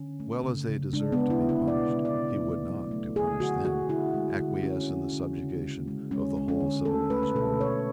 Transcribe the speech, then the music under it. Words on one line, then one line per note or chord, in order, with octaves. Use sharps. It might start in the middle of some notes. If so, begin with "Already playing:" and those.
Well as they deserved to be punished, he would not, to punish them, acquiesce in the subjugation of the whole civilised world.
Already playing: D3 C#4
A3
C#3
C#3
G#3 D4
B3
G#3
E4
D3
E4
B2 D5
G#3
D5
B2
A3
F#3
A3
D3 G#4
D3 F#4
D3 F#4
D3 E4
G#3
D3
D3 C#4
D3
D3
C#3
G#3
G#3
G#3 C#4
G#3
C#4
D3
A3 A4
A3 B4
B4
B2 A4
B2 C#5